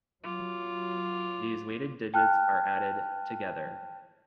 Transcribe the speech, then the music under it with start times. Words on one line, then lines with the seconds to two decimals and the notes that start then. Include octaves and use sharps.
These weighted digits are added together.
0.24 F#3 F4 D6
2.14 G5 A5 F6 F#6